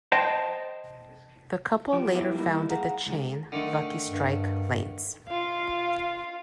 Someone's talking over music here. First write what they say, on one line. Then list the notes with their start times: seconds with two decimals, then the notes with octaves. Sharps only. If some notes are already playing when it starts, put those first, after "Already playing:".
The couple later founded the chain Lucky Strike Lanes.
0.12 C5 D#5 G5 A5
1.93 F3 G4
2.14 B3 E4 G4
2.34 G3 A#3 B3 D#4 E4
2.70 G#4 F5 F#5 A#5
3.07 C#2 D3
3.52 D3 D#3 A3
4.08 G2
5.29 F4 F5